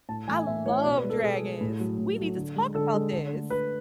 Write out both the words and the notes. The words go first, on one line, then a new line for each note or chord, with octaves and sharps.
I love dragons. We need to talk about this.
A2 A5
E3 A3 G#5
A2 E5
E3 A3 C#5
B2 D5
B4
G#3
A4
B2 G#4
G#3
A2
F#3 A3
A2
F#3 A3
D3
G#3
D3 A4
G#3
D3
A3
D3 B4